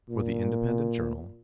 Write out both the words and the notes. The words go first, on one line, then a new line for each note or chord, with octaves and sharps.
For the Independent Journal.
A#2